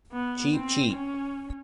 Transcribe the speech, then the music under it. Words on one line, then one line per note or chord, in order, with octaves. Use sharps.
Cheap, cheap.
B3
C4
C#4